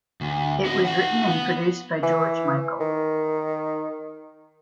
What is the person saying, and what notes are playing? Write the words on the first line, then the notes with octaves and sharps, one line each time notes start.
It was written and produced by George Michael.
D2
C4 F#4
F4 F#5
B3
E3
D#3